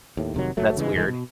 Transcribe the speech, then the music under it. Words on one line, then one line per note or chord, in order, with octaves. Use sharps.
That's weird.
D#2 A2
F1 C3 D#3 F#3
F#1 F#3 A3
C#3 E3 F#3 G#3
E1 G2 E3 G#3
B2